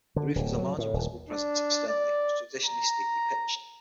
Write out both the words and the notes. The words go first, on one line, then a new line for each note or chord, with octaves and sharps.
The roof is a large and visible presence externally and was traditionally steeply pitched.
D3
D1
F#3
A2
D#1
D4
D5
A#5